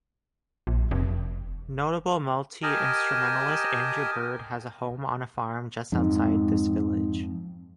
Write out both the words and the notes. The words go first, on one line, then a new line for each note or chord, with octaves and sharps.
Notable multi-instrumentalist Andrew Bird has a home on a farm just outside this village.
A#1
F1
G4 A#4 D#5 G#5 A5
F2 G#2